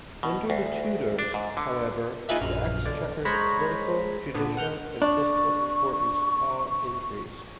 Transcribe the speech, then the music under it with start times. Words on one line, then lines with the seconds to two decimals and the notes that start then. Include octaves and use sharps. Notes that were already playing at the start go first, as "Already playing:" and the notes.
Under the Tudors, however, the Exchequer's political, judicial and fiscal importance all increased.
0.23 B2
0.50 D2
1.19 D4
1.34 G#2
1.57 D3
2.29 A#3 D#4 F4 G#4 B4 E5
2.41 A#1 F#2 F6
2.85 B1 D3 D5
3.25 G#3 C5 C#5 A#5 B5
4.34 A#2 D3 B3
4.57 F#5 F6 G6
5.02 D4 C#6